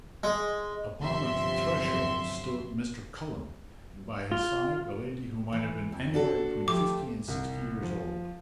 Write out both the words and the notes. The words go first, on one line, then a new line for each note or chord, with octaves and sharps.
Upon the threshold stood Mr. Cullen, and by his side a lady who might have been anywhere between fifty and sixty years old.
G#3
G1 C3 F3 F#3 E5 C6
F4
E3
F2
D4 F#4 A4
F3 A3 G4 D6
C2
F3